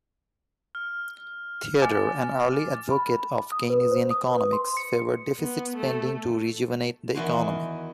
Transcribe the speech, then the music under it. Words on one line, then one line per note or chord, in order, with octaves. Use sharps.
Theodore, an early advocate of Keynesian economics, favoured deficit spending to rejuvenate the economy.
F6
G#5 D6 A6
B5
D#6
B4
C5
D#6
B4
C6
C#7
B3
A3
E2 D#3 F#4 G#5 C6